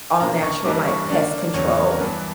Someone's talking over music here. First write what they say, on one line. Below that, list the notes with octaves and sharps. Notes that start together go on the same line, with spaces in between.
all-natural, like, pest control
B2 A#3 D4 A#5
C#6
G2 E3 G3 A#3 D4 D6
C#6
D3 A#3 D4 D5
E2 C#3 F#3 C#5
A#4
G2 E3 B3 D4 B4